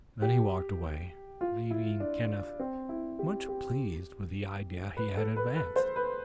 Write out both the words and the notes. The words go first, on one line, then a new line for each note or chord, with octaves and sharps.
Then he walked away, leaving Kenneth much pleased with the idea he had advanced.
G4
F4
E4
D4
C4
E4
G4
G4
B4
A4
B4
B4
C5
B4